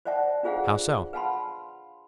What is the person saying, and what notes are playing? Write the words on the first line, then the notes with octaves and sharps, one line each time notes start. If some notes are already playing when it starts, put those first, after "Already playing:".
"How so?"
C5 D5 E5 F#5 A5
D4 F4 G#4 C5 F5 F#5
B4 F5 F#5 A5 B5 C6